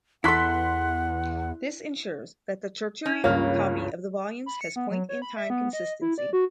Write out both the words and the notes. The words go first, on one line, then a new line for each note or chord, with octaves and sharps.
This ensures that the tertiary copy of the volumes has point-in-time consistency.
E2 E4 A4 F#5 C6 F#6 B6
C#4
C#2 G2 C#3 A#3 C#5 F6
B5
C#7
B3
F#3
C#5
B5
E5
B3
D#5
E4
D5
F#4